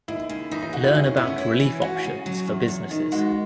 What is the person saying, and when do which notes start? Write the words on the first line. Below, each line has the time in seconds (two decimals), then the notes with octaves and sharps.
Learn about relief options for businesses.
0.08 D#2 E4
0.29 C#3
0.51 E3 D#4
0.62 D#4
0.73 D#2 F#4
0.84 E4
0.95 C#4 G#4
1.06 C#4
1.17 B3 E4
1.27 C#4
1.38 C#4 E4
1.60 E3
1.82 C#4 F#4
2.04 C#3
2.26 F#3
2.48 E2
2.68 E2
2.91 D#3
3.12 G#3 F#4